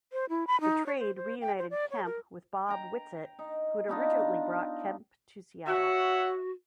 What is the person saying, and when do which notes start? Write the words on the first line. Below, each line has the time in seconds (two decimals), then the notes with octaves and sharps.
The trade reunited Kemp with Bob Whitsitt, who had originally brought Kemp to Seattle.
0.12 C5
0.29 E4
0.47 B5
0.61 D#4
0.86 C#5
0.99 C5
1.16 C5
1.41 G5
1.59 C5
1.70 D5
1.91 C#5
2.05 A#4
2.69 G5 A#5
3.39 D#4
3.88 B3 D4 D#4 F4
5.67 F#4 C#5 E5 F#5